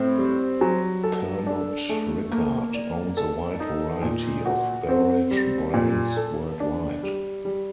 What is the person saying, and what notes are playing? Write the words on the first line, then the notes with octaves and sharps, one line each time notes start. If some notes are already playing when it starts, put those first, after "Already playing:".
Pernod Ricard owns a wide variety of beverage brands worldwide.
Already playing: A2 C4
G3
F#3
A4
D4
A3
A#3
D5
A4
D#4
A#2
F#4
C4
G3
A#2
A4
D4
G3
G3